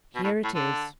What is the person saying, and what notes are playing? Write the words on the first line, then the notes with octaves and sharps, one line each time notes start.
"Here it is."
B2
A2
A2
D3